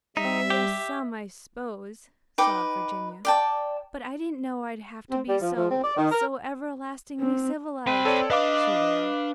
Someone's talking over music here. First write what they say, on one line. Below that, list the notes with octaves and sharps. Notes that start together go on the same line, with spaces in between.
"Oh, yes, some, I s'pose," sobbed Virginia, "but I didn't know I'd have to be so--so--everlastingly--civilised!" she wailed.
G3 D#4 E5
G4
D#4 B4 G5 D6
D5 G5 A5
C4
G3
F3
F3
C4
D5
D#3
A#4
C4
C4 C5 B5
A4 C#5 D5
D4 B4 D#5 F5 D6